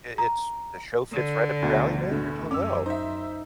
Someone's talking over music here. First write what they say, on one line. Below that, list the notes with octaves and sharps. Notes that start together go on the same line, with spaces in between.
I it's the show fits right up your alley, man, you're doing well."
A#5
D3
D2 B2
A2 D3
F#2 C#4 D6 E6
D#4 C5 E5